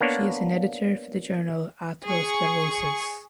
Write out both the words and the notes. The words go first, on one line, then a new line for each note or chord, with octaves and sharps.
She is an editor for the journal Atherosclerosis.
A#3 B3 D4 C#5
G#4 C#6